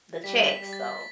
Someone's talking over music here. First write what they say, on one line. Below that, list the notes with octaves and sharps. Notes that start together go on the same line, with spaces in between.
the check, so
G3 B6
B6
G3
A6